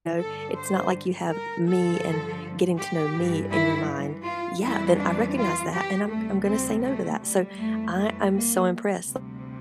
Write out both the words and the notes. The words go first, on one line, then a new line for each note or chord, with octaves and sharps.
know, it's not like you have me and getting to know me in your mind. Yeah, then I recognize that, and I'm I'm gonna say no to that, so I I'm so impressed,
G2 D3 G3 A4
C5
A#4
G2 D3 F3 A4
G4
G2 E3 G3
E4
F4
F2 E3 G3 E4
D4
F4
G4
D2 C3 G3 A3
C4
A3
G3
F2 E3 G3 A3
A3
A#3
D2 C3 G3